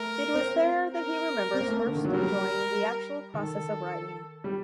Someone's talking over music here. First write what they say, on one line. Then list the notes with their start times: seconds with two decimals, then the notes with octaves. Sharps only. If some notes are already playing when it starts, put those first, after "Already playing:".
It was there that he remembers first enjoying the actual process of writing.
Already playing: A3 A#4
0.34 C4
0.94 A#4
1.54 C4
1.61 A#3
1.68 A3
1.76 A#3
1.86 D3
1.95 D#3
2.04 F#3
2.13 G3 A#4
3.34 D#3 A4
4.44 G3